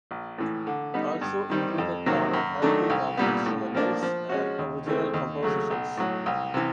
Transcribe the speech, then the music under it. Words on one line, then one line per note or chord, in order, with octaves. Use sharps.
Also included are a handful of instrumentals and original compositions.
A#1
A2 E3
D3
G3 B3 D#4
G2
D#3 G3 C4
F2
C3 D#3 F#3 A#3
F#2
D#3 F#3 A3 D4
C2
A#2 G3 B3
A2
F3 A#3 D4
F3
G#3 C#4 F#4
D#2
C#3 E3 A3 C4
D#2
C#3 F#3 A3
B1
A2 F#3
C2
C3 E3